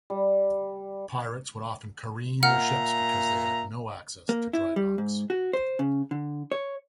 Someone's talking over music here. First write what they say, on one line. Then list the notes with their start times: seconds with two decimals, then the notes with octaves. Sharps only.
Pirates would often careen their ships because they had no access to drydocks.
0.10 G3
2.43 A#2 E5 F#5 A#5 F6
4.29 A#3
4.53 E4
4.76 G3
4.98 G#2
5.30 F#4
5.53 C5
5.79 C#3
6.11 D3
6.52 C#5